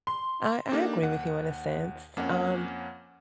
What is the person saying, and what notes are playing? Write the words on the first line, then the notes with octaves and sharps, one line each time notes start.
I I agree with you in a sense, um,
C6
A#3 D4 D#4 G4 A4
D#2 F#5
F2 A#3 C#4 F#5